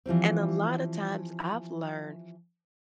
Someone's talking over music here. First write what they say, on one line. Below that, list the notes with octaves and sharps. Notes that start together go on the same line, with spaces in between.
and a lotta times I've learned
E3 F3 G3 C4